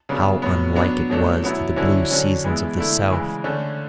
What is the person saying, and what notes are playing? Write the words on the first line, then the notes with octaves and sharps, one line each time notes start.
How unlike it was to the blue seasons of the south!
C#3 F#3 B3 D4
A2 F#3 B3
F#3 B3 D4
B2 F#3 A3 D4
B2 F#3 B3 E4
D3 F#3 C#4 E4
D3 F#3 C#4
E3 G#3 B3 E4
D3 A3 E4
C#3 E3 G#3
D3 A3 C#4